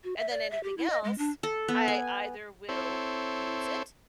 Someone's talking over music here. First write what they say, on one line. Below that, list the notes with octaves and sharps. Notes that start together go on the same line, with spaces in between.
and then anything else, I either will use it,
F#4
E5
D5
E5
G4
E4
D#5
G#3
D4
A4
B3
G#5
C4 E4 A4 C5 C#5